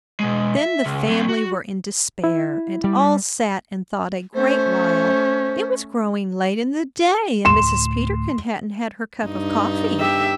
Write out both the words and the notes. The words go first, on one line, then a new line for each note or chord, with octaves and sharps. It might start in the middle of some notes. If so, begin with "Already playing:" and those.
Then the family were in despair, and all sat and thought a great while. It was growing late in the day, and Mrs. Peterkin hadn't had her cup of coffee.
B2 G#3
E5
C#2
F#3 C4
F#4
E4
G3
A3 C#4 C5
D2 A2 C6 E7
G2 D#4
G4 E5